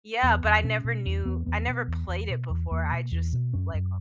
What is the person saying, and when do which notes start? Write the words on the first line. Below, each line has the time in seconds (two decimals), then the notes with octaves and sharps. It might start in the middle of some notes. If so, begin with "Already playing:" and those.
Yeah, but I never knew I never played it before. I just like, uh
0.23 E2 B3
0.44 E2
0.64 B2 C#4
0.84 B2
1.05 E2 C#4
1.25 E2 B3
1.46 E2 B3
1.67 B2 B3
1.88 E2
2.08 E2
2.30 B2
2.50 E2
2.71 E2 A#3
2.92 B2
3.12 E2
3.33 B2
3.53 F#2 C#4
3.74 F#2